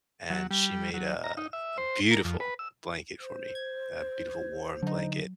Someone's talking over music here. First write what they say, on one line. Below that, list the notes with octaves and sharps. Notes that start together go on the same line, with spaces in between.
and she made a a beautiful blanket for me, a beautiful warm blanket,
F#3
G3
F#3
A#5
D#4
E5
C5
A#4
F2
B4
E6
C5
G#6
D3 F#3 D#4